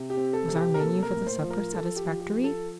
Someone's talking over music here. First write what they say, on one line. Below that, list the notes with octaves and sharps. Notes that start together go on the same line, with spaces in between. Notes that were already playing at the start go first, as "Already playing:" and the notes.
Was our menu for the supper satisfactory?
Already playing: C3
G4
C4
A4
C3
G4
A#4
A#3 A4
A#4
A2
C5
F3
A#4
F3 A4
G4
F3
G4
F3
A4